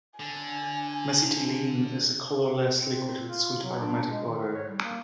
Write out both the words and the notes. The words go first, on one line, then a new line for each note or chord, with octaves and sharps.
Mesitylene is a colourless liquid with sweet aromatic odor.
D3 G#5
C4
F4
F#3
D4
G#3
D#3
C#5
G3
A#3